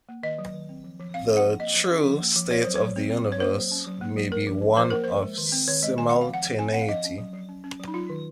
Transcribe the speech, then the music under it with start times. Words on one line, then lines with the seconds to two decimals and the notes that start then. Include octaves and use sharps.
The 'true' state of the universe may be one of simultaneity.
0.09 A#3
0.23 D#3 D#5
0.38 F#3
0.54 D#3
0.69 C4
0.84 F3
1.00 F3
1.14 C4 F5
1.30 C4
1.37 F#5
1.44 F3
1.59 A#3 D#5
1.75 F3
1.90 C#4
2.05 F3
2.20 A#3
2.36 F3
2.51 C4 C#5
2.62 F#3 C5
2.75 C#5
2.81 F#3
2.96 C4
3.11 C4
3.26 F#3
3.32 C#5
3.40 A#3 C5
3.57 F#3
3.72 C#4
3.87 F#3
4.01 A#3
4.16 F#3
4.31 A#3 A#4
4.47 F3
4.61 C#4
4.76 F3 C5
4.91 A#3 A#4
5.04 F3 C5
5.22 G#3
5.38 D#3
5.52 C4
5.67 D#3 C#5
5.82 G#3 D#5
5.97 D#3 G#5
6.10 C4 F#5
6.21 F5
6.28 F3
6.34 F#5
6.43 F3
6.59 C4 G#5
6.73 C4 F#5
6.81 F5
6.88 F3 D#5
7.04 C#4
7.18 F#3
7.33 F#3
7.49 C#4
7.64 C#4
7.79 F#3
7.88 D#4
7.94 F#3 F4
8.10 D#3